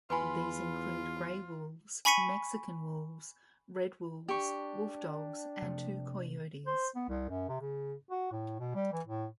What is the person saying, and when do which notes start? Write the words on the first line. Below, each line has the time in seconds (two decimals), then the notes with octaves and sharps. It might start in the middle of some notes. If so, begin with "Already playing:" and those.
These include gray wolves, Mexican wolves, red wolves, wolfdogs and two coyotes.
0.10 E2 F4 B4 G#5 B5 C6
2.05 G#5 B5 C#6 B6 C#7 D#7
4.28 D4 G4 C#6
5.62 C3 F3 A3
6.67 C5
6.95 B3
7.09 C2
7.29 F#2
7.49 C3
7.61 C#3
8.10 F#4
8.32 A2
8.59 B2
8.75 G3
8.92 E3
9.07 A2